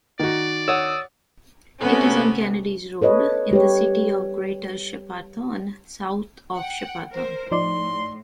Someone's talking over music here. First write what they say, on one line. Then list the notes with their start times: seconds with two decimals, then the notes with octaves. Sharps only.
It is on Kennedys Road, in the City of Greater Shepparton, south of Shepparton.
0.20 D#3 F#4 D5
0.68 C#5 F#5 D#6 E6
1.80 C3 A3 B3 C#4 F#4
3.02 A4 B4 C#5 D#5
3.51 G3 G4 B4 C#5
6.55 F#5 G5
7.12 A#4 C5
7.51 A2 F3 D#4 D5 C6